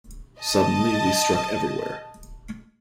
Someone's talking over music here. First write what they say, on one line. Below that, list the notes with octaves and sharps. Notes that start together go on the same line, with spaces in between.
Suddenly we struck everywhere.
D#5 A5